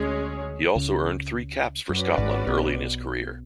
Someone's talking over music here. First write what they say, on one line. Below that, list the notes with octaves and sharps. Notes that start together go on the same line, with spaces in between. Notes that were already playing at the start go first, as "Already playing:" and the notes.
He also earned three caps for Scotland early in his career.
Already playing: D2 D3 G#3 C#4 G#4 C#5
C#2 C#3
F#2 C#4 F#4 B4 D5
G#1 G#2
B1 B2